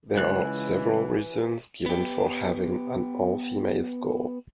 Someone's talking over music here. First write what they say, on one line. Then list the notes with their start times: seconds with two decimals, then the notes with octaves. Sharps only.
There are several reasons given for having an all-female school.
0.17 C#2 E3 B4 G#5 F#6
1.86 B3 G4